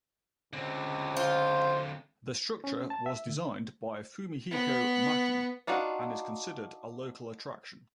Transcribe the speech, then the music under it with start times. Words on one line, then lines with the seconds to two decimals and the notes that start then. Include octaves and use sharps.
The structure was designed by Fumihiko Maki and is considered a local attraction.
0.53 C#2 D3 C4
1.17 F4 C5
2.64 C#4
2.90 A5
3.06 E5
3.26 D3
4.51 B3
5.67 D4 D#4 F4 F#4 D5